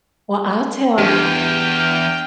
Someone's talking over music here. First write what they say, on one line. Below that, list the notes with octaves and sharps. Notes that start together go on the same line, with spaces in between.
Well, I'll tell ya.
E2 D4 G4 G5 F6